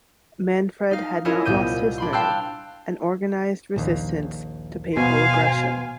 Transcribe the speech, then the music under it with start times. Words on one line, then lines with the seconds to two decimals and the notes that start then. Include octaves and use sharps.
Manfred had not lost his nerve, and organized resistance to papal aggression.
0.91 D#4 F5
1.25 C#4 E4 F4 A#4 C#5 D#5
1.45 C2 A#2 B3 G6 D#7
1.98 D4 B5 C6
2.12 F5 G5 A5 C6 E6 F#6
3.76 A#1 D#2
4.97 B2 C5 F5 G#5